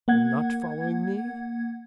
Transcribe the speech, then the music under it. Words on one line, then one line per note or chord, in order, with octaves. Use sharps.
Not following me?
A#3 F#5 G#6